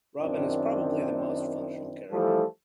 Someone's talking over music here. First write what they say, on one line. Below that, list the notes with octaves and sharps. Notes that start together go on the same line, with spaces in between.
Robyn is the probably the most functional character.
F#2 D#3 C4 D4 E4
E3 F3 G3 A3 A4